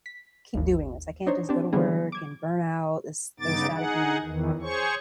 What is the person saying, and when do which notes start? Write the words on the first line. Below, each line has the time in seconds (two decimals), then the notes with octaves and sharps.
keep doing this. I can't just go to work, and burn out, this there's gotta be
0.06 B6
0.54 G#1 D#2
1.27 D4 D#4 C5 C#5
1.49 C4 D4 G4
1.73 D3 E3 F#3 G3 B3 G#4
2.12 D6 G#6
3.40 G2 C#3 B3 D#4 D6 A6
3.74 D#4 G#4 F#5
4.24 E2 D#3 E3
4.62 G#4 C5 C#5 C#6